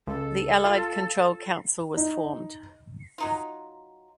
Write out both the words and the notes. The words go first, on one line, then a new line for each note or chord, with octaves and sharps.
The Allied Control Council was formed.
C#2 A4
F4
D#4
F#3 D#4 F4